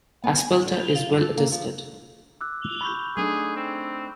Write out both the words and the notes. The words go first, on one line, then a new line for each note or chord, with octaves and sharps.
Aspelta is well attested.
B3
G#5
G#5
D3
B4
F4
G2
A4
A#3
F3
D6 E6 F#6
B5 C#6 G6
A3 D4 D#4 G#4
C4